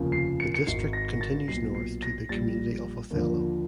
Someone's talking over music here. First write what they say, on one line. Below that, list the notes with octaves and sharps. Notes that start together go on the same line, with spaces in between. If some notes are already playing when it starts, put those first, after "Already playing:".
The district continues north to the community of Othello.
Already playing: F1 D#2 C#3 F3
C7
C#7
C#7
G#1 G#2 D#3 C7
A#6
A6
B1 A#2 F#3 C7
C7
A#6
A#1 A#2 G3 A6
D#2 D3 F3